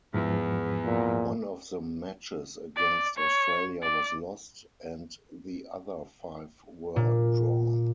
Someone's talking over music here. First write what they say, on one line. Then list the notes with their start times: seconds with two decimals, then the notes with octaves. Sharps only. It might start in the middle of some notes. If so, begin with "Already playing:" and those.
One of the matches against Australia was lost, and the other five were drawn.
0.14 E2 G#2 F3
0.85 A#2
2.76 D5
3.17 C#5
3.82 D5
6.96 A#2